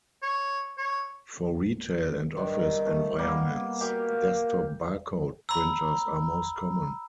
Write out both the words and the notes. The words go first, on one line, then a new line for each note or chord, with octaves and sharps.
For retail and office environments, desktop barcode printers are most common.
C#5
C#5
G2 D#3
A3
G3 A#3 B3
F#4 G4 A#4 F5
A#5 B5 E6